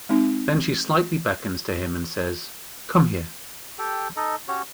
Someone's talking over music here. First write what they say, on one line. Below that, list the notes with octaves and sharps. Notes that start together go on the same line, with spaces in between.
Then she slightly beckons to him and says, "Come here!"
G#3 C4 D#4
G4 A4 G5
D#4 A4 D#5
C#4 F#4 G4 C#5